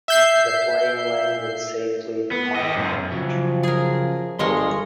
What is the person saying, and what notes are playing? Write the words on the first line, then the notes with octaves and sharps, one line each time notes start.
The plane landed safely with minor damage.
E5 G6 C7
B3
G4 D#5
F#2 A#2
C#3 F3 F#3
G#4 A#4
G1 G2 G#3 A#4 C#5 D#5 C6